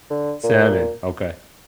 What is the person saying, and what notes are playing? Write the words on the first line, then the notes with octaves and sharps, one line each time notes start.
Salmon, okay.
D3
A#2